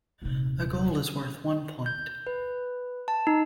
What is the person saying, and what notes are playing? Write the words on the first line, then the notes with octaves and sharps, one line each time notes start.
A goal is worth one point.
D#1 C3
G6
B4
A5
D#4